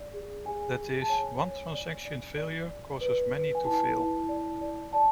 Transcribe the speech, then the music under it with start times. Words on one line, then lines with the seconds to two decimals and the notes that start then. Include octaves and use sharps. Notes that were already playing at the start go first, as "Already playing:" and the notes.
That is, one transaction's failure causes many to fail.
Already playing: D5
0.14 G#4
0.45 G#4 G#5
0.77 G#4
1.02 A5
1.09 C#5 G#5
1.41 C#5
1.73 D5
2.05 D5
2.37 D5
2.70 D5
3.01 B4
3.33 B4
3.55 G#5
3.65 E4 A5
3.98 E4
4.29 D5
4.61 D5
4.93 D5 A5